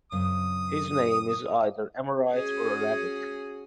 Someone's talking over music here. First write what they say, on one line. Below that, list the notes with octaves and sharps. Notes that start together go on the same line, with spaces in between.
His name is either Amorite or Arabic.
F#2 C#3 C4 D#6
C#4 F#4 G#4